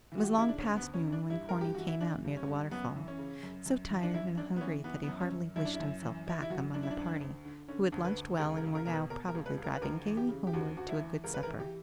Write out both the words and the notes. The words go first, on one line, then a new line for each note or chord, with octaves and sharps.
It was long past noon when Corny came out near the waterfall, so tired and hungry that he heartily wished himself back among the party, who had lunched well and were now probably driving gayly homeward to a good supper.
E3
F#4
G4
C#3 E4
D4
D2 C#4
B3
D2
C#4
E3
D4
G2 E4
G2 A#4
G4
E3 F#4
E4
E3 D4
G2
C#4
G2
F#2 B3
E3
C#4
C#3
F#2
F#2
E3
D4
F#2 E4
F#2 D4
B3
E3 C#4
E3 B3
B3
F#2
C#4
F#2
F#2 E4
D4
E4
F#2
E3
E3 E4
E4
F#2 F#4
F#2 D4
E4
D4
D2
D2
D3
D3 C#4
D2
B4
D2
C#2 A#4
A#4
C#2
A#4
B2 A#4
B4
B2 A#4
A#4
C#2
B4
C#2
A#4
B4
D2 A#4
E3
G4
C#3
G4
D2 F#4
D2 F#4
E4
E3
C#2 A#4
B4
A#4
E3
G4